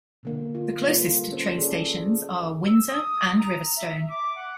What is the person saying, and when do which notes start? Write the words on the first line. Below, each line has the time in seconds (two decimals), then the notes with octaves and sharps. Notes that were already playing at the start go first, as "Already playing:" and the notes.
The closest train stations are Windsor and Riverstone.
0.23 B2 D3 A#3
0.55 F4
0.87 G3 A#3 F4 A4 B4
1.31 A#3 C#4 A4 C5
1.58 G#4 A4 D5
2.66 E6
2.87 D#6
3.38 A#5
3.76 E5
4.08 D6
4.35 F#5